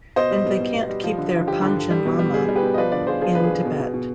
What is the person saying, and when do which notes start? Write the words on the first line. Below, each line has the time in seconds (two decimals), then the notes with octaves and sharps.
And they can't keep their Panchen Lama in Tibet.
0.16 B2 C5 D#5
0.31 G3
0.46 B2
0.60 B2
0.74 B2
0.89 G3
1.03 F3
1.18 D3
1.33 F3
1.47 D3 G4
1.61 D3
1.77 D3
1.90 G3
2.05 B2
2.19 G3
2.34 G3 G#4
2.49 G3
2.56 G4 B4
2.63 B2
2.74 D#5
2.77 F3 B4 D5
2.92 D3 B4 D5
3.07 F3 G#4 C5
3.21 F3 G#4
3.35 D3 B4
3.43 G#4
3.50 D3
3.65 B2
3.80 B2
3.94 B2